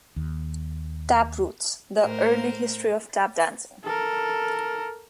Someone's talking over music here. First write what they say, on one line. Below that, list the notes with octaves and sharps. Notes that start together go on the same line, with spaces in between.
Tap Roots: The Early History of Tap Dancing.
D#2
A2 A#4 C5
A4 A#4